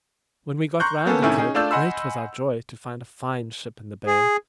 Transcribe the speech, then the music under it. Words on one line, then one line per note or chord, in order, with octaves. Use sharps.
When we got round the cape, great was our joy to find a fine ship in the bay.
A#5 C6 C#6 F#6 G6
A#3 B3 C#4 A4
A2 C3 D#3 A3 C#4 E4
C#4 D#4 G#4
A3 D4 F4 D5 E6 G6
D#5 F#5 G#5 B5 C6 E6
G#4